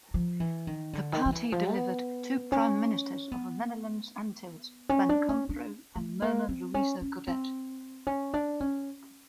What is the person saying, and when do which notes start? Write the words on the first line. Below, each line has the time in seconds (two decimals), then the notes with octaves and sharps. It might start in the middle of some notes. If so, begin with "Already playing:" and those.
The party delivered two prime-ministers of the Netherlands Antilles: Ben Komproe and Mirna Louisa-Godett.
0.14 F3
0.40 E3
0.67 D#3
0.93 D3
1.13 D#3
1.26 F3
1.32 E3
1.52 F3
1.72 B3
2.52 C#4
3.32 B3
4.89 C#4
5.09 D4
5.29 C#4
5.49 D4
5.96 A3
6.22 A#3
6.49 C4
6.74 C#4
7.01 C#4
7.27 C4
8.07 C#4
8.34 D4
8.60 C#4